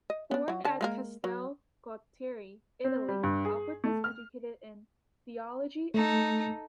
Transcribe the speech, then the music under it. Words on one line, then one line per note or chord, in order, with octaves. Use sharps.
Born at Castel Gualtieri, Italy, Albert was educated in theology and law.
D#5
B3 D4
F#3 F#4
D3 A5
G#3 A#3 A#4
F#3
C4
G3
G2
G#4
A3
F6
A3 D#4 A4